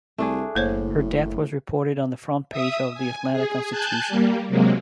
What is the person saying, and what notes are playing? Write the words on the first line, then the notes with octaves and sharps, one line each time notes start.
Her death was reported on the front page of "The Atlanta Constitution".
C2 A3 D4 G#4
F#1 A2 A#3 C5 C#5
E5 D#6
G#5
G#4
G#5 A5 F#6 G6
G3 A#3
C3 F#3 G#3 A#3